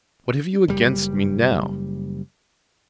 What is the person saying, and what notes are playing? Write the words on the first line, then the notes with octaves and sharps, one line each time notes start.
What have you against me now?
F#1 G3